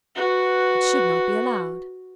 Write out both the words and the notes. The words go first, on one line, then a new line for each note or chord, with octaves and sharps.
It should not be allowed.
F#4 B4